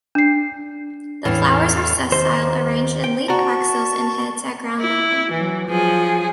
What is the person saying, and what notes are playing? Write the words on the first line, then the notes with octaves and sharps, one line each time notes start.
The flowers are sessile arranged in leaf axils in heads at ground level.
D4 C7
E2 A2 E3 A4 F5
D#2 C5
G5
F#4 D5 A5 A#5 C#6
E4
E3 F#3
F3 F#3 G#4